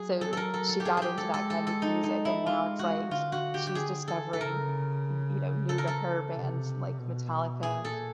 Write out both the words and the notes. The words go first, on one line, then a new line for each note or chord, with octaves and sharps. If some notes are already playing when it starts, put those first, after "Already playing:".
so she got into that kind of music, and now it's like sh she's discovering, you know, new to her bands like Metallica,
Already playing: F#3 G#4
A4
A4 A#4
A4
A4
G4
G#4
G4 G#4
G#3 A4
A4
A4
A4
D#4
D#4
E4
G#3 F4
F#4
D3 F4
F#4
G4
G4
G#4
A4
A4
C#3 A#4
A4
A#4
A4
C3
B2
A#2 G#4
A4